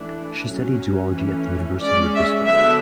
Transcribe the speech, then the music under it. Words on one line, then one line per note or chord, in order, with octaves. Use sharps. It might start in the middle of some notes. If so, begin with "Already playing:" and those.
She studied Zoology at the University of Bristol.
Already playing: E3 A3 D4
F#3 C#4
E3 A3 C#4
G#3 C#4 D5
E5
D3 F#3 B3 D4 E5